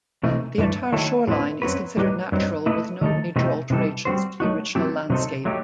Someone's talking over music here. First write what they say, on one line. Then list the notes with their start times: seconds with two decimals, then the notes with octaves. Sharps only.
The entire shoreline is considered natural with no major alterations to the original landscape.
0.23 C3 E3 A3 D#4
0.58 G2 E3 A3
0.93 D#3 F#3 A3 E4 A4
1.27 A2 F#3 C4 E4 B4
1.62 F#2 F#3 C4 F#4 B4
1.97 A2 G3 D#4 G4 B4
2.32 G2 F#3 C4 D#4
2.66 A3 E4 B4 D#5
3.01 D#3 A3 D#4 A4
3.36 C3 E3 A3 D#4 G4
3.70 C3 E3 G3 D#4 A4
4.05 G3 C4 F#4 C5
4.40 F#3 A3 D#4 F#4
4.75 F#3 A3 C4 E4 G4
5.10 C3 F#3 C4 D#4 A4
5.45 F#3 A3 D#4 G4